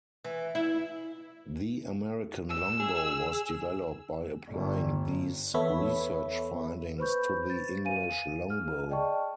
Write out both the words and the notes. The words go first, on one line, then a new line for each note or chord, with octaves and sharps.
The American longbow was developed by applying these research findings to the English longbow.
E3
E4
E6
G#4
G1
E2 B3 A4 C#5 E5 B5
B4 C5 B5 C#6 G6
A6
F5 G#5 D#7
G#4 F6
D5 D#5 G5 A5 C#6